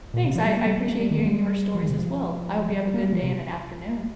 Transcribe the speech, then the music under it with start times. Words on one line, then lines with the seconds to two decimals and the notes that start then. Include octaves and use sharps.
Thanks, I I appreciate hearing your stories as well. I hope you have a good day and an afternoon.
0.14 A#2
0.24 C3
0.35 F3
0.46 G3
0.57 A#3
0.67 G3
0.78 G3
0.89 A#3
0.99 G3
1.11 D#3
1.19 A#3
1.26 G3
1.75 F3
1.82 D#3
1.90 C3
1.98 F3
2.70 G3
2.94 A#3
3.03 G3
3.13 F3
3.23 C3